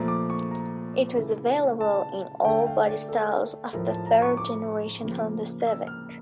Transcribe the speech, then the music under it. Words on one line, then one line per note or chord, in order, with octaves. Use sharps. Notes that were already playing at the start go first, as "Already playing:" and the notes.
It was available in all bodystyles of the third generation Honda Civic.
Already playing: A#2 F3 A3 A#5
D6
C#6
A#5
C#3 E3 A3
A5
D3 A3 G5
F5
D5
A4
A2 F3 A3 A#4
A5
A#5
C#6
D6
C#3 F3 A#3
E6
F6